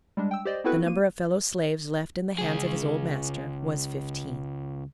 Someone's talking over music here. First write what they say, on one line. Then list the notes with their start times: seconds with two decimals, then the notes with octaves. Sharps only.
The number of fellow-slaves left in the hands of his old master, was fifteen.
0.17 G3 G#3 D4
0.31 G5 E6
0.45 G4 C5 D5 D#5
0.64 B3 C4 E4 F#4 A4 B4
0.86 A#3 D#7
2.39 C#2 G#4